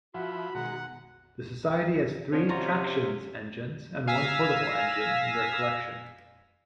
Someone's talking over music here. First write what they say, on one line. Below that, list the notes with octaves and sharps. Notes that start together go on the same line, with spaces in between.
The society has three tractions engines and one portable engine in their collection.
F3 E4 F#4 F#5 B5
B2 D#3 G#3 F#5 A#5
F3 C4 C#4 C5 D5
C3 F4 F#4 A#5
B6
F5 G#5 E6 A#6 B6